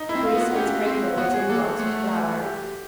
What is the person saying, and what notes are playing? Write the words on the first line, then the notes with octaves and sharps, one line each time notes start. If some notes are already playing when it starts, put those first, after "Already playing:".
Grease and sprinkle the tin box with flour.
Already playing: D#4
E4
C4
F4
B3
F#4
C#4 G4
C4
B3 F#4
G#4
A#3 A4
C5
A3
G4